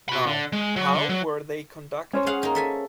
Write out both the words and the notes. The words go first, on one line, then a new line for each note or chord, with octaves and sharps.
Now, how were they conducted?
F#4 B5
D3
G#3
F#3
D3
F#3
C#4 C5 C#5
G#4 F5 F#5
A#3 D#4
A4 E5 G#5